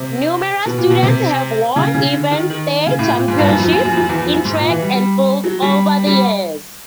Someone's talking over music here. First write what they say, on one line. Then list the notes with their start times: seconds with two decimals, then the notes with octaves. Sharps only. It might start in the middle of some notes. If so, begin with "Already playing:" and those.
Numerous students have won event state championships in track and field over the years.
Already playing: C3
0.66 B2
0.78 A#2
0.90 B2
1.03 C3
1.76 C#3
1.94 C#3
2.13 D3
2.31 D#3
2.50 D#3
2.87 C#3
2.99 A2
3.11 A#2
3.28 G#2
3.38 G2
3.49 F#2
3.60 F2
3.72 F#2
3.85 F#2
3.90 F2
3.97 F#2
4.09 E2
4.22 F2
4.34 F#2
4.45 G#2
4.58 A#2
4.70 E3
4.82 G3
4.95 G3
5.44 F#3
5.62 G3
6.07 G3